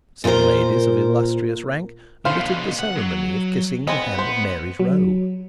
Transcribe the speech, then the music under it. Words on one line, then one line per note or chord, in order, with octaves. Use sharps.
Some ladies of illustrious rank omitted the ceremony of kissing the hem of Mary's robe.
A#2 F4 G4 A#4 C5
B2 D3 C5 F5
F#5
F#3
B3 C4 G#4 D#5
C5
F#3